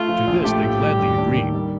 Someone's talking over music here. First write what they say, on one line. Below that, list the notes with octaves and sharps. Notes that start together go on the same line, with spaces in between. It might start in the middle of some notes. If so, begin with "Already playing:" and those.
To this they gladly agreed.
Already playing: A3 F4
F3
A#1
A3 G4
A2
G3
D#2
D4
D#3
G3